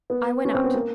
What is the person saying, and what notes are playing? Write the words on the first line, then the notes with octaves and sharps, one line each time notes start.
I went out.
B3
C#4
C4
B3
A#3